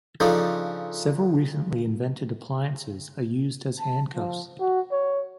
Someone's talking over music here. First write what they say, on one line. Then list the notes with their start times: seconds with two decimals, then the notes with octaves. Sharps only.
Several recently invented appliances are used as handcuffs.
0.20 C#3 F3 D4 D#4 A4
3.79 A5
4.15 F3
4.60 F#4
4.92 C#5